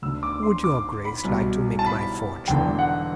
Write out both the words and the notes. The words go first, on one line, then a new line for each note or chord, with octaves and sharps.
"Would your Grace like to make my fortune?".
D2 D3 E6
D6
C6
D6
B5
C2 B2
A5
B5
E1 E2 D3 G5
F#5